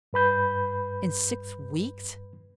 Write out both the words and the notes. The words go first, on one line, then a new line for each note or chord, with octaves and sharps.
"In six weeks?"
G2 B4 B5 G6